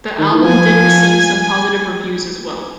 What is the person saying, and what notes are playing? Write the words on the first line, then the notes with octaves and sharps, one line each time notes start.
The album did receive some positive reviews as well.
D#3
E3
F3 G#5